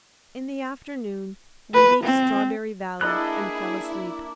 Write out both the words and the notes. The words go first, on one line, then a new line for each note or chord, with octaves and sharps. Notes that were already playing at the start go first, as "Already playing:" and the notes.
In the afternoon we reached Strawberry Valley and fell asleep.
B4
C4
A#3 D4 E4 G#4 A4 D#5 B5 F#6